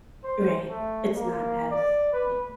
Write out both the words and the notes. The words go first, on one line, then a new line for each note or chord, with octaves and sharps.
Right. It's not as, you know,
C5
A3
A#3
D5
B4